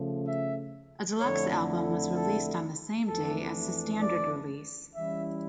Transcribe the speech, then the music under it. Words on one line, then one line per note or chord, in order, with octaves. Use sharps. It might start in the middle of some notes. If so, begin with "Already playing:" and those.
A deluxe album was released on the same day as the standard release.
Already playing: C#3 F3 A3
E5
F2 D3 A3 E4 C#5
A4
F2 E3 A3 D4 A4
D5
E3 G3 C#4 E4 E5